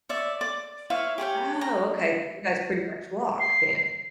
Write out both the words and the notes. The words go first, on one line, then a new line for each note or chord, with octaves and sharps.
Oh, okay, 'cause you guys pretty much walk then.
C#5 D5 E5
D5 D6
E4 B4 C#5 F5
G4 G#4 C#5 G5
A#5
C7